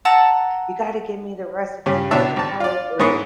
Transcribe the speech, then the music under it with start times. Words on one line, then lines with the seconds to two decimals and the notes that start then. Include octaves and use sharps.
you gotta give me the recipe for the collard greens
0.05 F#5 A5 A#5 E6
1.86 G2 C#3 C#4
2.11 C#2 B2 D4 C#5 E5 A5
2.36 G#1 A5
2.60 F4 D5
2.99 G#2 B3 C#4 E4 C#6 D#6